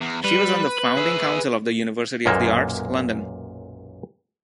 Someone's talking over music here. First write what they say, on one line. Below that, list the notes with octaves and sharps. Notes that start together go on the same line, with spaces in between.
She was on the founding Council of the University of the Arts, London.
E2
G3 B4
B4
G#4 E5
B1 F#2 A#2 G#3 A#3 A4